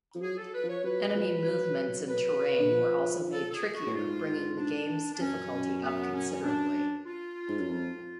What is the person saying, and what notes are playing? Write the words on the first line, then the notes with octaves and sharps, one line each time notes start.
Enemy movements and terrain were also made trickier, bringing the game's difficulty up considerably.
F3
F#3 G#4
A4
B4
F3
C#5
F#3 B4
F3
F#3
B4
D3
F3
A4
A4
G#4
F#4
A2
G#2 F4
D4
D4
F#2 C#4
B3
C#4
C#4
D4
F4
G#2
F#2
F2